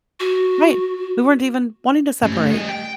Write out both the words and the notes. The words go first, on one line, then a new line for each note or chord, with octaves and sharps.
Right. We weren't even wanting to separate.
F#4
A2 C#4
G3 A3
G3 D#5
G5